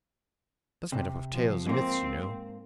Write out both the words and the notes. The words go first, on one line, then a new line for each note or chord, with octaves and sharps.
That's made up of tales, and myths, you know.
C3
F3
G#2 A#3 C4